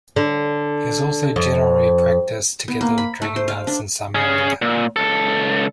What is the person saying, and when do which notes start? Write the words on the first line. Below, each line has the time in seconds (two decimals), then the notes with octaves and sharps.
It is also generally practised together with Dragon dance in some area.
0.16 D3
1.36 F2
2.68 B3
2.81 A#3
2.98 B5
3.22 A3
3.36 C5
3.48 F5
3.67 D4
4.15 C#4 G#4
4.62 A#2
4.96 C#2 A4